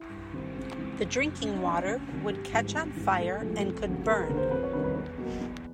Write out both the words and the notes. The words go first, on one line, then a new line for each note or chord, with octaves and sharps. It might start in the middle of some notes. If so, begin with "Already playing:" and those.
The drinking water would catch on fire, and could burn.
Already playing: E4
G2
D#3 G3 C4
C#2 C4
C3 E3 G#3
F#1
F#2 C#3
C2 C#4
D#4
A#2 F#3 D4
D2 C#4
C3 D#3 F#3
G#1 G4
G#2 E3 G3 B3
G#1
G#2 E3
A#1 A4
A2 F3 G#3
F1
D#2 C#3 F#3
E1 A#4
B4
D#2 D3
C5
F2 B4
C#5
C3 D#3 G3 B3 B4
B4
E2 B4
B2 F#3 A#3
E2